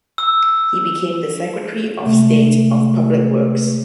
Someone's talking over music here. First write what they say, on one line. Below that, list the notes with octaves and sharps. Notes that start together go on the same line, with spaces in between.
He became the Secretary of State of Public Works.
E6
C3 G#3 A3